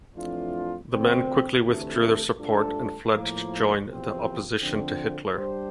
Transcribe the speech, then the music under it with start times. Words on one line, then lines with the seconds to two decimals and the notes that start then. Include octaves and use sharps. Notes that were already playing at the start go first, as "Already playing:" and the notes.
The men quickly withdrew their support and fled to join the opposition to Hitler.
0.15 F2 E3 A3 D4 F4
0.90 D2 D3 F3 C4
1.64 D2 C3 E3 A3
2.38 G2 F3 A3 D4 A4
3.13 A2 F3 A#3
3.87 E2 C3 F3 C4
4.61 D3 F3 C4
5.35 G3 D4 G4 C5